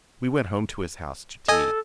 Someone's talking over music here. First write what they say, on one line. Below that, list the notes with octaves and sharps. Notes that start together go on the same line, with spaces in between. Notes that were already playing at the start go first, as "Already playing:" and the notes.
We went home to his house to tea.
A4 D#5 G#5